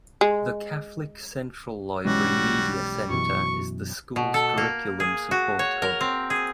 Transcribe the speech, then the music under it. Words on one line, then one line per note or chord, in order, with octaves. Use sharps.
The Catholic Central Library Media Center is the school's curriculum support hub.
G#3
B1 E3 G3 G#3 C#4 F#4
F#2 B2 E3 F#4 C#6
B2
A4
A#3
G#4
F#4
C#5
A#4
C4
G#4